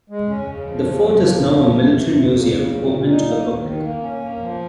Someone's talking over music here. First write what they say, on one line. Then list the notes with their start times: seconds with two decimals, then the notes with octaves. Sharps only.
The fort is now a military museum open to the public.
0.10 G#3
0.29 C#4
0.47 C#3
0.66 F3
0.85 C#3
1.03 F3
1.22 A#3
1.40 F3
1.59 A#3
1.78 C3
1.96 C3
2.15 F2
2.34 C#3
2.53 C#3
2.71 A#2
2.90 A#2
3.09 D#4
3.27 A#3
3.46 D#2
3.65 D#3
3.83 A#3
4.02 C#4
4.21 A#3
4.39 F3